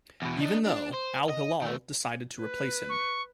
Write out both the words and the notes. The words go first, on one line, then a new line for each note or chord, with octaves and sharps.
Even though, Al-Hilal decided to replace him.
E2 B2
D4 D#5
D4
C5
D#5
D#3 A3
B4
C#6